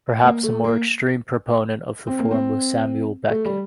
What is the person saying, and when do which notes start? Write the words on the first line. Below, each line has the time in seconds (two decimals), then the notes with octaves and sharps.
Perhaps a more extreme proponent of the form was Samuel Beckett.
0.23 A#3
0.43 A3
0.64 A#3
2.07 C4
2.19 A#3
2.31 C4
3.30 A3
3.45 G3